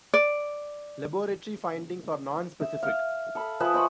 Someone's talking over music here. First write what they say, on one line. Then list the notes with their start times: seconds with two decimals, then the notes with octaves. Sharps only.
Laboratory findings are nonspecific.
0.14 D5
2.60 E5
2.83 F5
3.35 A4 B5
3.60 F3 G#4 B4 E5
3.74 C5 D#5 B5 C#6